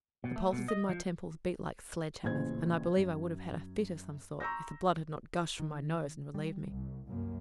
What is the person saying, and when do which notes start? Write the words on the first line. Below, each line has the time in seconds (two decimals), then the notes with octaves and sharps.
The pulses in my temples beat like sledge-hammers, and I believe I would have had a fit of some sort if the blood had not gushed from my nose and relieved me.
0.24 B2
0.36 A3
0.53 B2
0.68 D#5
0.89 F3
2.23 A1 A#2 C#3 C5 G#6
2.97 F#2
4.40 A#5 C6 C#6 E6 G6 A#6
5.60 D#3
6.35 G3
6.70 C2
7.08 C2 F#2 A#3